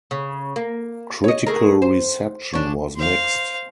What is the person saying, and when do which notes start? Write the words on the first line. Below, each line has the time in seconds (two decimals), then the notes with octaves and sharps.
Critical reception was mixed.
0.11 C#3
0.56 A#3
1.24 C#5 D#5
1.47 A3 G#4 A#4
1.82 C5
2.53 C#4 D4
2.97 C5 F5